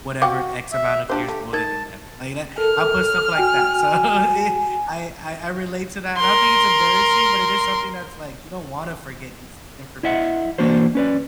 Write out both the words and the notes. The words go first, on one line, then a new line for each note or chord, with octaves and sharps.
whatever x amount of years older than them." like that I put stuff like that. So, eh, I I I relate to that, and I don't think it's embarrassing, but it is something that's like, you don't wanna forget these information, but
F#4 F5 G5 D6
E5
F3 D4 G4 C5
A3
D#4 A#4 A5 G#6
A4 A#4 F6
F#4 G5 G#5
A#4 C6
E4 D#5 E5 F#5
E3 A#3 D4 F#4 C5
C#4 B4 D5